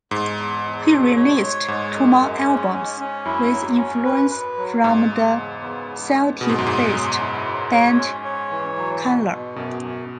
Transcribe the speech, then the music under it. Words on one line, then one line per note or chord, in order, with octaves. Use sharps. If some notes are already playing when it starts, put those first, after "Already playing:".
He released two more albums, with influence from the Celtic-based band Cunla.
E2 G#2
E2
E2
B2
C#5
C#5
G#2 G#3
F#2
G#3
C#4
C#4
C#4
F#2 E4
F#3
C#4
B4
B4
F#3
G#2 C#3
E2
C#3
B3
E2
B3
B2 G#4
G#2
F#2
G#2 G#4
F#3
E4
F#3
C#5
C#4
C#5
E3
F#3
B2
B2
F#2 B2
F#2